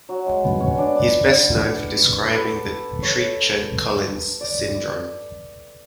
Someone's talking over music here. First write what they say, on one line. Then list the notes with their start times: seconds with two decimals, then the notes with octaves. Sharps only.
He is best known for describing the Treacher Collins syndrome.
0.09 F#3
0.26 G#3
0.44 B3
0.60 C#4
0.78 D4
0.96 D4
2.26 A4
2.34 B4
3.02 C#5
4.41 D5